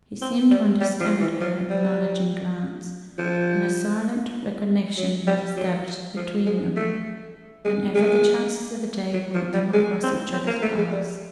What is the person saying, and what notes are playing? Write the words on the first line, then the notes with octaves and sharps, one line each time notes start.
He seemed to understand her acknowledging glance, and a silent recognition was established between them whenever the chances of the day brought them across each other's paths.
C4
G3
G3
F3
E3
F3
G3
F3
F#3
G3
F#3
F3
G#3
A3
G#3
G#3
F#3
F3
G3
G#3
C4
C4
A#3
A3
G#3
G3